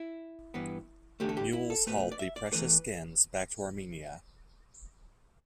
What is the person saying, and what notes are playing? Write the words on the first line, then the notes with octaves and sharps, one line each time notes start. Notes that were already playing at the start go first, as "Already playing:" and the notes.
Mules hauled the precious skins back to Armenia.
Already playing: E4
G2 E3 B3
E2 D3 A3 G4
A4
G4
E4
A4
B2 A3 B4
D5
E5
D5
E2 E3 A3 B4